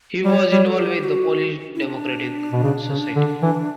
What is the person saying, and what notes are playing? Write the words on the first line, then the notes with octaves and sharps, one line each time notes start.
He was involved with the Polish Democratic Society.
G3 C#5
G3 C#5
A4
G4
F#4
E4
D4
B2
C#3
C#3
D3
E3